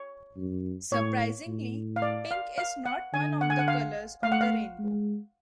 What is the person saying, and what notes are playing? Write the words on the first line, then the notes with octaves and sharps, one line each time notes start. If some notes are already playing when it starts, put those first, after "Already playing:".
Surprisingly, pink is not one of the colours of the rainbow.
Already playing: C#5
F#2
A2 C#5
A2
F5
D5
F5
F5
F#5
D3 G#5
F#5
G#5
F#5
F5
A3 F5
F#5
F5
G#3